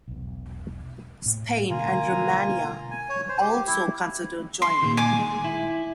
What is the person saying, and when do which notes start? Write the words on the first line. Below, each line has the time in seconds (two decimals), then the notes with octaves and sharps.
Spain and Romania also considered joining.
0.08 E1 B1
1.26 A2
1.70 B2 D3 G#3 A#3 F4 G#5 A#5
2.91 G#5
3.09 C#5
3.29 C5
3.41 G4
3.67 E4
4.62 C6
4.82 A#2 D#3
4.97 G#5 D6
5.19 G#3
5.44 E4